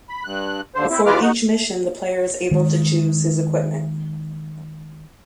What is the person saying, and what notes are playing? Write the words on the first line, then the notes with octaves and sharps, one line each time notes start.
Before each mission the player is able to choose his equipment.
B5
G2 F#6
D#2 D3 C5
C4 E4
D#2 E3 F4 B4 D6 F6
D#4 F#4
D#3 G#3